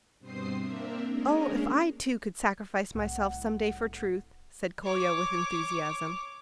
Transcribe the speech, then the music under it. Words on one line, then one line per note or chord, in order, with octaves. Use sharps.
"Oh, if I, too, could sacrifice myself some day for truth!" said Kolya with enthusiasm.
G2 B2 C4 C5 D#6 C7
A#3 C4 D4 A#4 E5
G#3 A#3 C#4 D4 G#4 A#4
C2 A2 F#5
C#5 D6